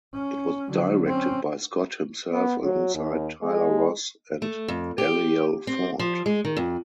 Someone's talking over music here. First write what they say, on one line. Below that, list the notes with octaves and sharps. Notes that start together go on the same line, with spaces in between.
It was directed by Scott himself alongside Tyler Ross and Eliel Ford.
C#4
D3 F#3
C4 C#4
B3
F#3
D#2
G#3
A3
F2
G4
C4
F3
G#3
D#3
F2